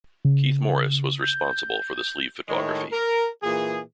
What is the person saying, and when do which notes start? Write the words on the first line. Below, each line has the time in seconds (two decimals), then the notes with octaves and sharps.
Keith Morris was responsible for the sleeve photography.
0.25 C#3
1.22 G6
2.48 A2 D#3 G#3 A3 C#5
2.92 A#4
3.43 A#2 E3 G#4